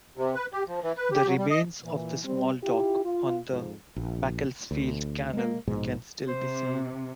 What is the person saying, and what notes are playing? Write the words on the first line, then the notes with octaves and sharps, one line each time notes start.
The remains of the small dock on the Macclesfield Canal can still be seen.
C3
B4
G4
F3
E3
B4
G4
F#3
G3
D#5
A#2 E3
G3 C4
E4 F4 G4
F4
F2 G#2
A#1
D2
G#3 A#3
A#1 G#2 B2 G#3
C3 C5